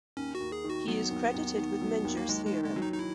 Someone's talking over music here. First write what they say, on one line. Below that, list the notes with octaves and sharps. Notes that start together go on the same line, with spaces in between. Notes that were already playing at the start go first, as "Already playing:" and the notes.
He is credited with Menger's theorem.
D#2 C#4
F#4
D#2
G#4
D#3
F#4
F#3 B3
D#2
D#2
D#3
F#3
D#2
A#3
D#2 G#3
G#3
D#3
G#3
F#3
D#4
D#4
E4